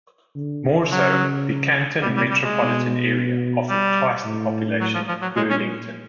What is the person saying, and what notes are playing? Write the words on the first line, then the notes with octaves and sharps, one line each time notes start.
More so, the Canton metropolitan area offered twice the population of Burlington.
D3
C#3 F#3
C3 G3
G3
G3
G#3
B2
G3
A2
F#3
F3
F3
F#3
A#2 G#3
C#4